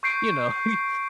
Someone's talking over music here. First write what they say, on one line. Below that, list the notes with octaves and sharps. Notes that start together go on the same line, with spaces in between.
you know, he
C#6 G6 C7 D7